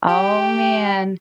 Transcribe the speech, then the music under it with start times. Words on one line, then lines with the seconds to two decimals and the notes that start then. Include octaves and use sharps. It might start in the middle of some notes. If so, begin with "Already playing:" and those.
oh man.
0.09 G4 G5